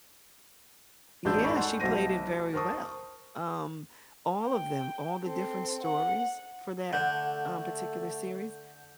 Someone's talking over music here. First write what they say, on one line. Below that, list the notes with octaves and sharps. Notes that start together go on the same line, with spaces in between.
Yeah, she played it very well. Um, all of them, all the different stories for that, um, particular series,
A1 G#2 D4 G#4 E6 G6
D#4 A#4 D5 G#5 B5 C#6
A4 F#5 C6
B1 A3 F#4 C5 A#6 D#7
A#4 C5 A5 C#6 D#6
G5
C4 A4
F#5
D3 A3 F#5 G6